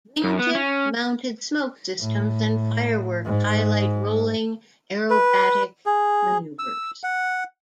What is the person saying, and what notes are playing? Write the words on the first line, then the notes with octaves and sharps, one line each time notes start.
Wingtip mounted smoke systems and fireworks highlight rolling aerobatic maneuvers.
F#2
B3
C#4
A2
G#2
B4
G#4
E6
F#5